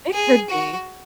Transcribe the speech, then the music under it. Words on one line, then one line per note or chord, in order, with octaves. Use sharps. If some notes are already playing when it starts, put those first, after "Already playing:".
It could be.
G#4
F#4